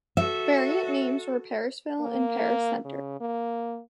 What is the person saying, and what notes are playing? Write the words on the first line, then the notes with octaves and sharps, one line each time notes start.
Variant names were Parisville and Paris Center.
F#4 A4 E5
A#3
C#3
A#3